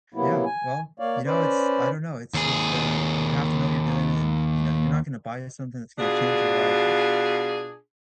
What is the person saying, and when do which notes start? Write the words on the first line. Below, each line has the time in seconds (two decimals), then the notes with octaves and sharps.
Yeah, well, you know, it's I don't know, it's just the you have to know what you're doing and, you know, you're not gonna buy a something that's gonna change your life if
0.14 C3 F#3 A#3 B3 E4
0.45 G#5
1.00 A#3 C#5 D5 F5
1.26 C#4 B4 C5 D5
2.34 D#2 G#4
5.98 B2 D4 F4 G#4